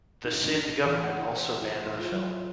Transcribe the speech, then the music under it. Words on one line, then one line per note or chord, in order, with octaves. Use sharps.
The Sindh government also banned the film.
D#4
D4
C3
E3
F#5
E4
C5
E4
C5
F4
F#3